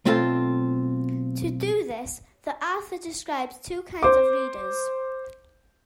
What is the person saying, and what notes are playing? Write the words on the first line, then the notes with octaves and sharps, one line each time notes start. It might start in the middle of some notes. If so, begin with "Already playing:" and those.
To do this, the author describes two kinds of readers.
B1 A3 C4 F4 A4 A5
C5 D6